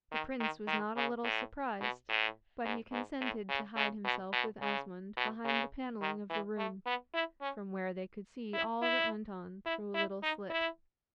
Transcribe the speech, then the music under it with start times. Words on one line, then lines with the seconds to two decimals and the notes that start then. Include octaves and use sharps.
The prince was not a little surprised, but he consented to hide himself with Asmund behind the panelling of the room, from where they could see all that went on through a little slit.
0.12 D#3
0.40 D#3
0.68 D#3
0.97 C#3
1.24 A2
1.80 B2
2.09 A2
2.65 G#2
2.92 G#2
3.21 A2
3.49 C#3
3.77 C#3
4.04 B2
4.33 B2
4.61 C#3
5.17 B2
5.45 C#3
6.01 D#3
6.30 E3
6.58 A3
6.86 B3
7.14 E4
7.41 C#4
8.54 E4
8.82 E4
9.66 E4
9.94 E4
10.23 D#4
10.50 E4